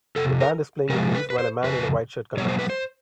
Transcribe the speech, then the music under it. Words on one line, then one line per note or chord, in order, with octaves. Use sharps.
A band is playing a piece while a man in a white shirt conducts.
F2 C3 A4
A#4
C3 F3 G#3 A#4
B4
B4
C5
F2 C#3 B4
B2 F#3 A#3 C#5
C5
B4
C5